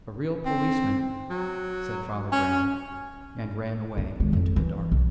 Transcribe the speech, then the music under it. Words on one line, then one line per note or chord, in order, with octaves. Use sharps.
"A real policeman," said Father Brown, and ran away into the dark.
C4
F#3
C#4
D#4
D#3 G#3
F2
E3
B1